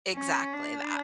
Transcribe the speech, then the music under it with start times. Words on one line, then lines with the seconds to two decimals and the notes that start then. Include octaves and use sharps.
Exactly that.
0.15 C#4
0.54 D4